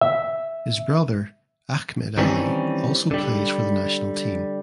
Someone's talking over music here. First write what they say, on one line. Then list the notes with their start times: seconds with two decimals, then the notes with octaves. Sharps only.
His brother Ahmed Ali also plays for the national team.
0.01 E5
2.18 D#3 E3 G3 C4 C#4
3.11 D3 G3